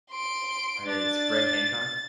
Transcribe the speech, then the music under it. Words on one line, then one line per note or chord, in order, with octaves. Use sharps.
Uh, it's Graham Hancock?
C6 D7
D4 A6